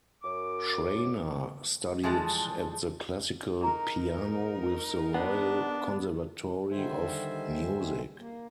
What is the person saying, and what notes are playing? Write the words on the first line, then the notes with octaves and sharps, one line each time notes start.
Schraner studied at the classical piano with the Royal Conservatory of Music.
F#2 D6
E3 F3 G3 G#3 G#4 A4
D#4 G#4 A#4 A#5
B3 C#4 D4 F#5
D3 D#3 G3 C5 E5 G#5
A#3